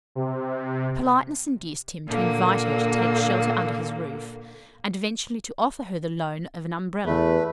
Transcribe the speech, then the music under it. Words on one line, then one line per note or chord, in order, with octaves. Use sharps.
Politeness induced him to invite her to take shelter under his roof, and eventually to offer her the loan of an Umbrella.
C3
A#2 D3 A#3
E2 A3 B4